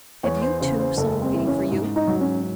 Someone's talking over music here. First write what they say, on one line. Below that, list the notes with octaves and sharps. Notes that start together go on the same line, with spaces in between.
"Have you, too, some one waiting for you?"
E2 C#5
C5
C#3 C5
C5
F#1 A4
C4
E3
C#4
G#2
D#4
F#3
C#4